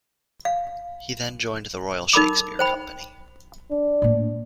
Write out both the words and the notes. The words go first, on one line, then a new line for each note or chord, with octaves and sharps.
He then joined the Royal Shakespeare Company.
F5
D#4 A#4 B5 D6
C5 G5 B5
D4
A2 A#3